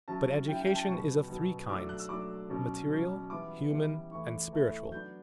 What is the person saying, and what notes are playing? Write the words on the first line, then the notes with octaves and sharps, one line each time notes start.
But education is of three kinds: material, human and spiritual.
F#3 C#4 E4 A5
F#3 C#4 E4 G5
G5
A5
B2 F#3 B3 C#6
B2 F#3 B3
F#3 A3 D4 D6
E6
F#6
E6
F#3 A3 D4 D6
B2 F#3 C#4
B2 F#3 C#4
E3 G3 B3 D6
E3 G3 B3
E3 A3 E4 C#6
E3 A3 E4
F#3 B3 D4 G6